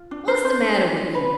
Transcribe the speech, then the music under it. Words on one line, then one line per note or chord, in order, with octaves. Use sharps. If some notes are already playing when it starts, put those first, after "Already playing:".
What's the matter with you?
Already playing: F4
D4
C5
D4 C5
D4
B4